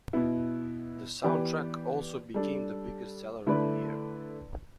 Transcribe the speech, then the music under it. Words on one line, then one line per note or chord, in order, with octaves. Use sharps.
The soundtrack also became the biggest seller of the year.
B2 B3 E4
E3 B3 G4 B4 D5
G3 D4 A4
D3 A3 E4 B4 D5